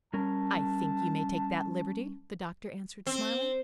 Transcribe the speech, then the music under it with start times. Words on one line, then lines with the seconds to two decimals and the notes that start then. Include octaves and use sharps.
"I think you may take that liberty," the Doctor answered, smiling.
0.13 G3 C#4 A#4 A5
3.07 C4